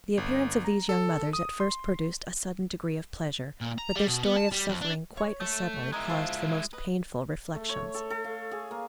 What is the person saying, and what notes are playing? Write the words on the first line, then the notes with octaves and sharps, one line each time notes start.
The appearance of these young mothers at first produced a sudden degree of pleasure, but their story of suffering quite as suddenly caused the most painful reflections.
G1
A#5
A4
D#6
C6
A#2
A#5
G3
B2
B3
A5
G3
F2
D4
C#5 C#6
A3
G#3 E4 A#4 D#5
F4 C5 A5
B4 D#5
A3
C#5
A4
A4
F5
G#4
A#3